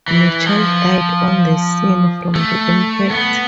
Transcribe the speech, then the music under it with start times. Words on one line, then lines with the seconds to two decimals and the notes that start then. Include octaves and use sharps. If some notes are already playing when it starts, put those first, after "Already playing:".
Mitchell died on the scene from the impact.
0.08 E3
0.46 F3
2.35 A3
3.11 B3